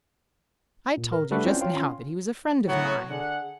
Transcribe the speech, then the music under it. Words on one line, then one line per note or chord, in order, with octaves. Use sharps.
"I told you just now that he was a friend of mine."
A#2
A#4
G3 A3 D4 F#4 A4 B4
C4 C#4 E4 F4 C5 D5
F4 C#5 F5 G5
C#4 F4
A2 F#3 B3 F#4
D3 G#4 F#5